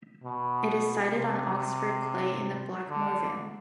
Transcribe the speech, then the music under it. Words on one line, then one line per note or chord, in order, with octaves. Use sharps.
It is sited on Oxford clay in the Blackmore Vale.
B2
C3
D3